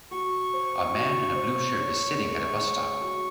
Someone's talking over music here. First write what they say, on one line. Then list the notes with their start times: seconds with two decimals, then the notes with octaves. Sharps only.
A man in a blue shirt is sitting at a bus stop.
0.11 F#4 C#6
0.53 C5
0.94 F#4
1.35 C5
1.77 C#4
2.18 G#3
2.60 C#4
3.01 F#4